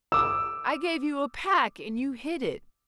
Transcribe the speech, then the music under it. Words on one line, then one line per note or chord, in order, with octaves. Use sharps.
I gave you a pack and you hid it.
D6 E6